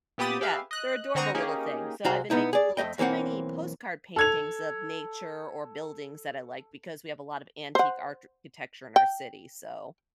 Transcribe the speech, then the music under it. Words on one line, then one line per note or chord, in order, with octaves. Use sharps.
yeah, they're adorable little things, so, I've been making little tiny postcard paintings of nature or buildings that I like because we have a lot of antique architecture in our city, so
A#2 B3 G4 B5 D#6 A6
G4 G#4 B4 E5 F5
D#5 F#6
D3 C4 F#5 A#5 C#6 D#6
A#3 C#4 D#4 G4 G#4
C2 G#3 F#4 C5 F5 A#5
B2 B3 D#4 E4
G#4 D5
F2 A3 D#5 G5
B1 E3 A#3 C4 F#5
A4 G#6 F7
C5 F#5
G5